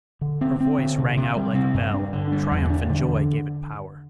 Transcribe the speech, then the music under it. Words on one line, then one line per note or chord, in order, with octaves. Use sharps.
Her voice rang out like a bell; triumph and joy gave it power.
D3
C4
C4
D3
C3
C3
G3
C4
G2
D4
D3
G3
E2
D4
D3